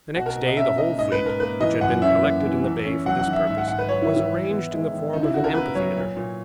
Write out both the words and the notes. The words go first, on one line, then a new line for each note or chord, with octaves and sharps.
The next day the whole fleet, which had been collected in the bay for this purpose, was arranged in the form of an amphitheatre.
B2 F#4
A#4
B2
D#5
C#4 E5
A#3 D#5
G#2 D#5
B4
G#2
A#4
A#3 B4
E3 D#5
F#2 F#5
C#4 E5
A#3
E3
E2
C#4
F#3 F#5
F#5
D#3
E5
G#2 E5
F#5
G#2 F#5
B4
F#3 C#5
E4
D#3
E4
E2
B3
G#3
D#3
C#3 D#4
E4
C#3 F#4
A#4
B3 B4
F#3 C#5
A#2
A#2